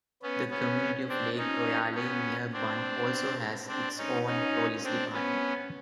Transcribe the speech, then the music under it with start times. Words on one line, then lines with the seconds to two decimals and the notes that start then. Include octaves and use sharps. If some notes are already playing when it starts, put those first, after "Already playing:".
The community of Lake Royale near Bunn also has its own police department.
0.22 B3 C#4
0.50 B3 C#4
1.09 C4 D4
1.37 C#4 D#4
1.95 B3 C#4
2.53 C4 D4
3.68 C4 D4
3.97 C#4 D#4
4.26 C#4 D#4
4.84 C4 D4
5.13 B3 C#4